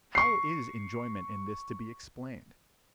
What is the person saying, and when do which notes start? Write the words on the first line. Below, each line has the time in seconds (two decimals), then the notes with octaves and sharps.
How is enjoyment in this to be explained?
0.15 C#6 C7